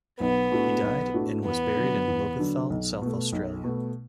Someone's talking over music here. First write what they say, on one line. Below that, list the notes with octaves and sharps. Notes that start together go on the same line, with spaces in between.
He died and was buried at Lobethal, South Australia.
B1 B3
A2 A3 D4 F#4
B1
A2 A3 D4 F#4
E2 B3
D3 F#3 D4
E2
D3 F#3 D4
B1
B2 A3
B1
B2 A3